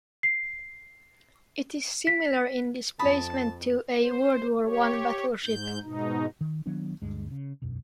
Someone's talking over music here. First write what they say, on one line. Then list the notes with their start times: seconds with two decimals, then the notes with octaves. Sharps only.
It is similar in displacement to a World War One battleship.
0.23 C7
2.07 B6
2.99 F2 A5 B5 D#6
3.99 C5
4.65 G4 C#5
5.44 G#2 G6
5.83 G#2 B2 D#4
6.41 D#3
6.66 D#3 F#3 B3 D4
7.02 D2 G2 G#3
7.31 C#3
7.62 E1 B1 F#2